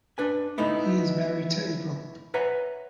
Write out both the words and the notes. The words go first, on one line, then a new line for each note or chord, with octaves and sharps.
He is married to Apryl.
D4 B4 G#5
G#3 A3 B3 D#4 E4
B4 C#5 E5 F#5 G#5 A#5